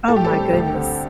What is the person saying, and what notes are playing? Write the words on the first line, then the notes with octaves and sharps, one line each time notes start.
Oh my goodness,
A2 A4
G4
A4
G3 C4
D2
D3 C4